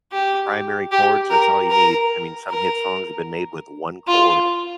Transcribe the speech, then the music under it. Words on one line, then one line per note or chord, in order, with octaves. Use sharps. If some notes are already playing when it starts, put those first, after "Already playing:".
primary chords, that's all you need. I mean, some hit songs have been made with one chord.
G4
G4
A#4
A#4
A#4
F4